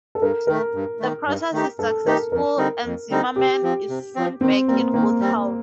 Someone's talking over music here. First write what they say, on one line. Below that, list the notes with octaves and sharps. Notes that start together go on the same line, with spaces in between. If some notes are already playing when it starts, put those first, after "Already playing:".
The process is successful, and Zimmerman is soon back in good health.
A4
G2 A#4
D#3 A3 A#4
G2
D#3 A3
G2
D#3 A3 D#4 G4
G2 A4
D#3 A3 D#4 G4 A#4
F2 A#4
D3 G3 C4 D#4
F2
D3 G3 C4 D#4
C3 G4
F3 C4
C3
F3 C4
D#3 C4
G3 A#3 C4
D#3 A#3
G3 C4